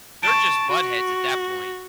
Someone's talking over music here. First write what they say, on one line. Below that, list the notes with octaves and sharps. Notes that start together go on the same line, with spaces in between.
they're just buttheads at that point.
A5 C#6 D7
F#4